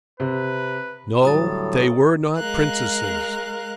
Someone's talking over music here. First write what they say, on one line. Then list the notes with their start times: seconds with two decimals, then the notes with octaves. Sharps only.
No, they were not princesses.
0.20 C3 B4
1.23 A2 D3 F#3 G3 A#5 D#6 A6
2.36 G#3 A#4 F5 F#6